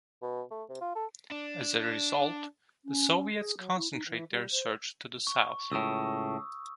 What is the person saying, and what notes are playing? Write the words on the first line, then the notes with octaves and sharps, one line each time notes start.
As a result, the Soviets concentrate their search to the south.
B2
A3
C3
F4
A4
D4
C#4
G#4
F#3
E4
D#4
E3
G3
C5
C#6
C#2 A2 D#6 E6